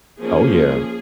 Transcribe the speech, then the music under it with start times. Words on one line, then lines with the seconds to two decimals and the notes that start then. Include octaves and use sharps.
Oh, yeah.
0.20 F3 A#3 C#4 G#4